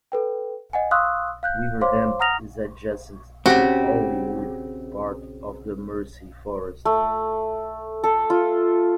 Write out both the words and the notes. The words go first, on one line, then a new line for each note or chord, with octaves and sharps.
Weaverham is adjacent to Owley Wood, part of the Mersey Forest.
A4 B4 G5
D#5 F#5 G#5
F5 C6 C#6 D#6 E6 F#6
F5 F#6 G6
C5 C#5 F5 C6 D6
F#5 A#5 D#6 F6 A#6 F7
C#3 C4 F#4 G4
A3
A4
F4